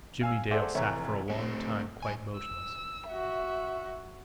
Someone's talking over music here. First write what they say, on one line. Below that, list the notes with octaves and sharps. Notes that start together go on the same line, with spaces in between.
Jimmie Dale sat for a long time quite motionless.
F5 G#5 E6
G#4 A4 C5 D5 E5 F#5
F1 E3 C#5 E5 A#5
A3 C4
G2 G#5
E6
F#4 E5